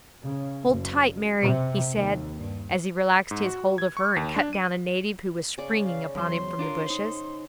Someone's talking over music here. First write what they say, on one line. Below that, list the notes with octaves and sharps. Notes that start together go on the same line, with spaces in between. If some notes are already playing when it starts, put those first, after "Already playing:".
"Hold tight, Mary," he said, as he relaxed his hold of her and cut down a native who was springing upon him from the bushes.
C#3
F#1
C3
D#2
G2
G#2
F#4
G#6
C#6
D#2
D4
D#7
C#3 D5
F5
E2 F#3 C5 C6
D4 F4 A#4
D#4 C5